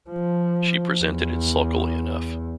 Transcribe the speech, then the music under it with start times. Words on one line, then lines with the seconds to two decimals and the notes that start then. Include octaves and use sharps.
She presented it sulkily enough.
0.10 F3
1.01 E2